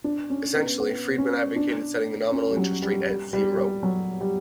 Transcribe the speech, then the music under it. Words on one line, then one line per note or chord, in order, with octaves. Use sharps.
Essentially, Friedman advocated setting the nominal interest rate at zero.
D4
C#4
B3
B3
C#4
D4
C#4
G3
F#3
G3
G3
G3
G3
F#3
G3